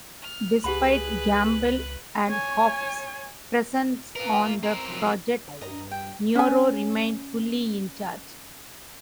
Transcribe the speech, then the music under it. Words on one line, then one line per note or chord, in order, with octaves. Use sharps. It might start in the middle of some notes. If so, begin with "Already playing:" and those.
Despite Gamble and Huff's presence on the project, Nyro remained fully in charge.
F6
C#2 G4 G#4 B4 F#5 B5 F#6
C#5 G#5
F4 A#4 B4
A3
C4 A#4 A#5
C3 F3 F#3
D3
G2 D#5 A#5
G5
C#4 G#5